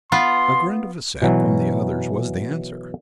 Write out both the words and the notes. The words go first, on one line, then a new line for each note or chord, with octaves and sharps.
A grunt of assent from the others was the answer.
B3 F4 C6
B2 E3 F#3